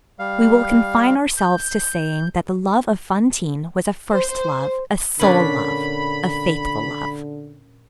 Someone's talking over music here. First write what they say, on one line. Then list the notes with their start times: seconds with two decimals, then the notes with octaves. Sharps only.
We will confine ourselves to saying that the love of Fantine was a first love, a sole love, a faithful love.
0.19 G3 F5
1.37 G6
4.12 C5
5.19 A#2 D3 C#4 D4 B5